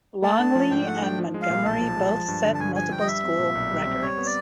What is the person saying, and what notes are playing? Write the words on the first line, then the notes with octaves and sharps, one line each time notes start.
Longley and Montgomery both set multiple school records.
A3 A5
D4
F3
G#2 G5
A3 F#5
D4 G5
F3
G#3
F5
A#2
B1 A5
F3
G#3
F3
G2
D3
A5
G2 G#5
F3 G#5
G2 G5
D#5
G3 E5
C4
A#2
B1
G3
C4
G3 C#5
B3
D5